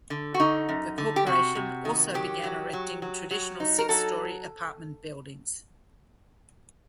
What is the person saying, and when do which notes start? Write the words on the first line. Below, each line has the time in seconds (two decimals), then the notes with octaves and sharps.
The corporation also began erecting traditional six-story apartment buildings.
0.10 D3
0.34 F#4
0.40 D3 D#4
0.69 F#2
0.98 D3
1.16 G4
1.27 C3 F#4
1.55 C3
1.85 D#3
2.14 F#3 G4
2.43 F#3
2.73 F#3
3.02 F#3
3.31 F#3
3.60 D#4
3.78 A#4
3.89 F#3 A4